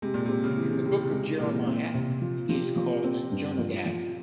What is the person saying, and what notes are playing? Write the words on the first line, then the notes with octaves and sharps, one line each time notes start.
In the Book of Jeremiah he is called Jonadab.
C3 G#3
A#2
C3 C4
C#3
E3
C3 G4
C3 G#3
A#2 E3
C4
C3
F3
C3 F3
F3
C4
G2
F3
F3